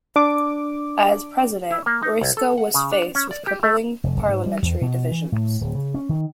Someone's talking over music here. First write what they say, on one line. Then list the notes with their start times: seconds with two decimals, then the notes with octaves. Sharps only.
As president Riesco was faced with crippling parliamentary divisions.
0.16 D4 D6
1.71 E4
1.86 A#3
2.03 D#4
2.21 C2
2.37 A4
2.58 F#5
2.74 C#3
2.92 D4
3.15 C#4
3.31 D5
3.47 G4
3.63 A3
4.04 F1
4.16 F1
4.29 G#2
4.46 G3
4.62 E2
4.81 B2
5.11 E3
5.32 A2
5.61 D1
5.75 C#3
5.94 C#4
6.09 D#3